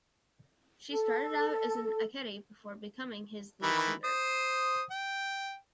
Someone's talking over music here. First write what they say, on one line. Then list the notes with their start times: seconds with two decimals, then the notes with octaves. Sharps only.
She started out as an Ikette before becoming his lead singer.
0.90 A4
3.63 D#3 E3 B5
4.04 C5 D#6
4.91 G5